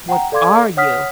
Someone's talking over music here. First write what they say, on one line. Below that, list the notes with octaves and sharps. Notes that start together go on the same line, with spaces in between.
What ARE you?
F#5 G5 A#5
A4 D5 F5 C6 D6 G#6
C#5 F#5 D#6 F6 B6